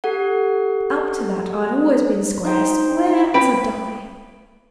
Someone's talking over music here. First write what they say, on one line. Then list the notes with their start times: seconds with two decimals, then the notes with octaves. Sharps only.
Up to that I had always been square,--square as a die!
0.04 G4 A4 F#5
2.45 D#4 C5 G5
3.34 B4 G5 B5